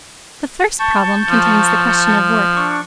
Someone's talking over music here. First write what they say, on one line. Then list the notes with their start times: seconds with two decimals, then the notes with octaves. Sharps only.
The first problem contains the question of work.
0.79 A5 C#6 G6
1.30 F3
2.56 D4 C#6